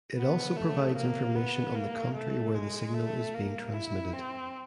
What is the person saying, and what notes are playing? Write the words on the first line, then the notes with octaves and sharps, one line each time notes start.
It also provides information on the country where the signal is being transmitted.
B3
A3
A#3
B3
A#3
A3
G#3
A3
A#3
E4
C4